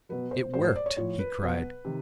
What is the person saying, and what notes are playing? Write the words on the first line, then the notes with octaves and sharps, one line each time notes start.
"It worked!" he cried.
B2 F#3 B4
C5
A2 F#3 C5
C5
D5
C#5
A2 F3 C#5
B4
B2 F#3
C3 D#3